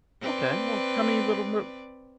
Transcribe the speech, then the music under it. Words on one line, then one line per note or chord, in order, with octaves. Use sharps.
Okay. Well, tell me a little bit
C4 B4 D5